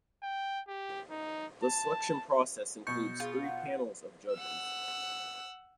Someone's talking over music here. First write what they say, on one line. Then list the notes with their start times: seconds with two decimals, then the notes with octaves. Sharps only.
The selection process includes three panels of judges.
0.23 G5
0.68 G4
1.10 D#4
1.63 A5
2.87 B2 C#6 G6 C#7
3.20 F4 G#4
3.43 F#5
4.34 F#5 E6